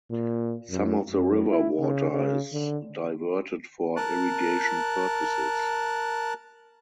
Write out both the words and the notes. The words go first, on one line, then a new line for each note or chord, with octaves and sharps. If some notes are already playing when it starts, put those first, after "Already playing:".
Some of the river water is diverted for irrigation purposes.
A#2
F#2
F#2
E4
C#3
C#3
D3
A#4 A5 F#6